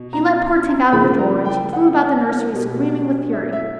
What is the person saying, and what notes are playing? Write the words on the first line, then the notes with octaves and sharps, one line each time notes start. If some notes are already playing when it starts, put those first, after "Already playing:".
He let poor Tink out of the drawer, and she flew about the nursery screaming with fury.
Already playing: B2
A#5
C#3 F3 A#3 B5
A#5
G5
F#5
B2 G3 B3
E5
E5